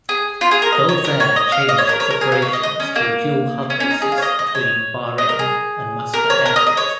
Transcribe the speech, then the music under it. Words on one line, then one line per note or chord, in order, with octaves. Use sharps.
Gulf Air changed its operations to a dual-hub basis between Bahrain and Muscat airports.
G#4
F4
G#4
A#4
D#5
C#5
A#4
C#5
D#5
F5
D#5
C#5
A#4
C#5
A#4
G#4
F5
C#5
D#5
D#5
C#4
A#3
C#4
C#4
D#4
G#4
F5
C#5
D#5
D#5
C#5
D#5
A#4
G#4
A#4
C#5
A#4
D#5
D#5
C#5